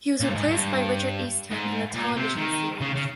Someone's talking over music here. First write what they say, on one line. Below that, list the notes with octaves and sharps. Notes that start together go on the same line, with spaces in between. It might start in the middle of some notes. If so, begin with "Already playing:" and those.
He was replaced by Richard Eastham in the television series.
A#2
G2
G#2
G2
G#2
A#2
C3
D#3
C#3
C#3